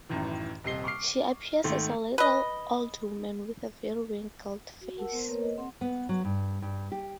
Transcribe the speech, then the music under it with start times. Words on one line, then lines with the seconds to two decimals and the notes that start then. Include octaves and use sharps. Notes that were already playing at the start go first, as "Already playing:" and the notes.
She appears as a little old woman with a very wrinkled face.
0.09 A1 F#2 A2 D#3 E3
0.64 D#1 C3 D#5 C7 G7
0.84 C#6 D6 F6 C7
1.64 G#1 D#3 A3 C6
2.18 B4 D#5
4.81 F#4
4.97 A#4 F#5 A5 E6
5.12 B3 A#4 C5 A5 C6
5.28 A#3 A#4 B4 C#5
5.41 D#5
5.58 C4 G#4 F#5 C6
5.81 B3
6.09 F#3
6.25 G2
6.62 G2
6.92 G4